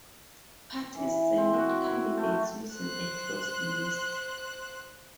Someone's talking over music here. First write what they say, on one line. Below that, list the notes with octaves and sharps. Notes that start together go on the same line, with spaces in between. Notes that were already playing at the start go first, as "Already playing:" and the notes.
Parties select candidates using a closed list.
E3
C4
F#4
E4
A3
C5 F#6